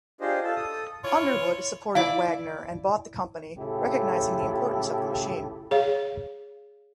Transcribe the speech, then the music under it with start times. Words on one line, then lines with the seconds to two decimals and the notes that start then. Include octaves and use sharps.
Underwood supported Wagner and bought the company, recognising the importance of the machine.
0.21 D4 F4 G4 G#4 C5 D#5
0.44 F4 A4 A5
0.56 A4 D#6
1.05 E4 F4 C#5
1.95 E4 D5 F5 D6
3.58 A2 C#3 E4 F4 G4 A4
5.71 G#4 C#5 F5